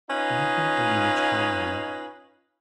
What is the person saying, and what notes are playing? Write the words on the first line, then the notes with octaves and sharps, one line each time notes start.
I had not done you much harm, Harry.
C#4 D#4 F4 B4 D#5 F5